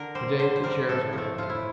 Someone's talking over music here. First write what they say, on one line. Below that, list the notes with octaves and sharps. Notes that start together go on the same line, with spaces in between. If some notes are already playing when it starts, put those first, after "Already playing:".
Today the chairs were empty.
Already playing: D3 A#4
G3 C5
D3 C5
C5
G3 A#4
A2 A4
F3
A3
A2 F4
E4